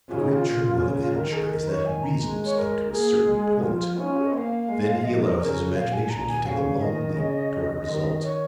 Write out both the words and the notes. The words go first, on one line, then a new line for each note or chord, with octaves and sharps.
The great trouble with an amateur is that he reasons up to a certain point; then he allows his imagination to take a long leap toward a result.
C#3 F4
D#4
G#4
F4
A#2
C#3
F4
D#3 A#4
G#4
A#4
C#5
G#5
A#5
G#3
C#5
A#4
A#3 G#4
G#3
F3 F4
C#4 D#4
F4
G#4
D#5
A#3 F5 G#5
G#3
F3 D#5
A#4
C#3 A#4
A#2 F5
G#5
A#2 A#5
G#5
C#3 F5
D#3 D#5
C#3
D#3
C#5